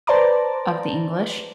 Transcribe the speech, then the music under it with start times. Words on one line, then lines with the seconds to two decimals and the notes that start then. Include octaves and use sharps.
of the English.
0.07 B4 C5 D5 A5 A#5 D6